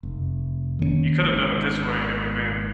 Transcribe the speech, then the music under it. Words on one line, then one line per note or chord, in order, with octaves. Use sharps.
You coulda done it this way, and it would’ve been"
F1
D#3 A#3 B3 C#4
G#1 G#2